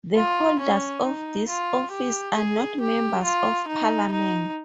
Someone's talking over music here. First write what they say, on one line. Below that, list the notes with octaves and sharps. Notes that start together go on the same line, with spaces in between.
The holders of this office are not members of Parliament.
F4
C#4
D#4
F4
G4
G#4
G4
F4
D#4
D#4